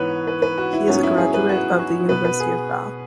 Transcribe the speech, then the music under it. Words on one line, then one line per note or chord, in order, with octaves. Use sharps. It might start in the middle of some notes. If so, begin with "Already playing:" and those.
He is a graduate of the University of Bath.
Already playing: G#2 E3 B3 B4 C#5
B4
B4
F#4
E4
G#2 F#3 B3 C#4
E4
G#4
B4
F#4
F#4
B2 B3 B4
B4
G#4